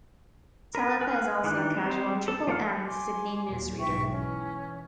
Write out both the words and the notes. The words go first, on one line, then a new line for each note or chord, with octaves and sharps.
Talitha is also a casual Triple M Sydney newsreader.
A#4 B4
B4 G#5 F6 F#6
D#3 E3 D4 F#6
G3 G#3 C4 G4
A4
F3 A#3 A4 F#5 F6
G#5 C6 D6
D#2 A#2 F#3
B1 G#2 E5 G5 C#6
E3 C#4